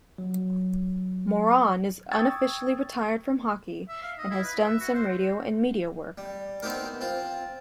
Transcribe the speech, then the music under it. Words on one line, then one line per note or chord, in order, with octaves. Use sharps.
Moran is unofficially retired from hockey, and has done some radio and media work.
F#3
G5 C#6 D#6 E6 G#6 A6
E5
F5
D#5
E4
B4
E5
F#4
C5
G3
B3 C4 D#4 G4 A#4
C4 F4